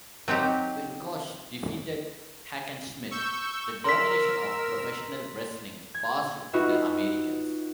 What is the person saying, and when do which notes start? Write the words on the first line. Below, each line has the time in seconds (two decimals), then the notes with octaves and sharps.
When Gotch defeated Hackenschmidt, the domination of professional wrestling passed to the Americans.
0.28 F#3 C4 D#4 G4
3.11 C#6 E6 G6
3.84 A#4 C6 E6 B6
5.94 G#6
6.53 D#4 F4 F#4 B4 E5